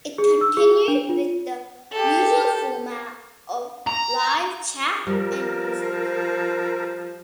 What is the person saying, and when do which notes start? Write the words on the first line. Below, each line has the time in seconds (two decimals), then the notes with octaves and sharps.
It continued with the usual format of live chat and music.
0.18 G#4
0.41 E6
0.57 G#4
0.88 D4
1.09 F4
1.92 G4 A4
3.87 A#5
5.07 F3 G3 A#4